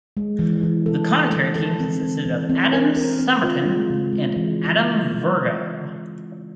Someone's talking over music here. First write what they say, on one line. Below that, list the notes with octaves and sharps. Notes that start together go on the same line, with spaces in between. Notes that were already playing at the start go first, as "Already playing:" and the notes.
The commentary team consisted of Adam Summerton and Adam Virgo.
G#3
E3
E3
A4
A4
A4
A4
C4
E3
E3
C4
A#4
A#4
C4
F4
G#3
C#3
G#3
E3